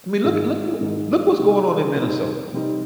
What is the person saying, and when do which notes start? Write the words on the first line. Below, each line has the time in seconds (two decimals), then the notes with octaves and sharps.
I mean, look look who Look what's going on in Minnesota,
0.23 G#2 D#3 G#3 D#4 G#4
0.81 G#2 D#3 G#3 D#4 G#4
1.39 C3 G3 C4 D#4
1.96 C3 G3 C4 D#4
2.53 C3 G3 C4 D#4